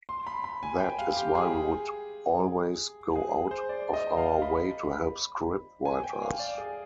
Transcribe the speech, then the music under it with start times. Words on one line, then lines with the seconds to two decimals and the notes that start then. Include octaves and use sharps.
That is why we would always go out of our way to help scriptwriters.
0.09 C6
0.27 B5
0.44 B5
0.63 G#5
0.80 G5
0.99 F5
1.17 G4
1.35 G#4
3.16 G#4
3.51 C5
3.69 D5
3.94 D#5
4.17 F5
4.42 B5
5.85 G#5
6.04 G5
6.22 F5
6.40 D5
6.58 G#4